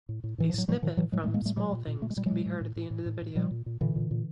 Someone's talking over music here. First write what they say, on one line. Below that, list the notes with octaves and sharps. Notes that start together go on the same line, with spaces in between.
A snippet from "Small Things" can be heard at the end of the video.
A2
A2
A2 E3
F3
A2 F#3
A2 F3 G3
A2 D#3 F3
A2 E3 F#3
A2 F#3 G#3
G3 A3
A2
G#3 A#3
A2 G3 A3
A#2 F#3 G#3
A#2
A#2
A#2 A3
G#3
A#2 G3
F#3 G#3
A#2
A2
A2
A2
A2
A2
A2
A#2 F3 G3
A#2
A#2
A#2 D3 E3
A#2
A#2